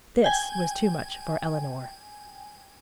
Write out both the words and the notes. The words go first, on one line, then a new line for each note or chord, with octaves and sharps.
This was too much for Eleanor.
G5 G#5